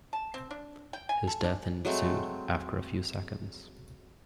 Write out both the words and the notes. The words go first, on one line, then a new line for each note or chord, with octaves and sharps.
His death ensued after a few seconds.
A5
C4
D4
G5
G#5
A4
D4
F#3 G#3 A3 C4